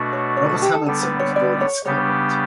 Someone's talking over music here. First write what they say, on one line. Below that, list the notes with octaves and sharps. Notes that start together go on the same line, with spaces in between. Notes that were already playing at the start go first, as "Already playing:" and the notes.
Robert Hamilton was born in Scotland.
Already playing: B2 A3 D4 F#4
C#5
C#5
A4
G4
A4
D3 G3 B3 D4 A4
B4
C#5
D5
C#5
C#3 G3 B3 D4 G4 C#5